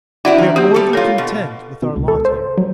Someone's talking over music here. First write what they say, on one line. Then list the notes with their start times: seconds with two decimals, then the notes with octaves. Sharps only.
We are more than content with our lot here.
0.25 C4 D4 E4 F#4 D5 F#5
0.38 D#3
0.56 A#3 C4 G4
0.74 G3 A4
0.93 A#3 F4 A4 C#5
1.18 B2
1.82 B2
1.96 C#2
2.08 A4
2.25 C5
2.58 F#3